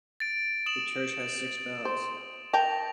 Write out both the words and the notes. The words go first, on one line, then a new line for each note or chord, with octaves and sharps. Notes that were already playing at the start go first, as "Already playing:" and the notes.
The church has six bells.
A6 D7
D#6 E7 F#7
C5
A#4 G5 A5 A#6 F7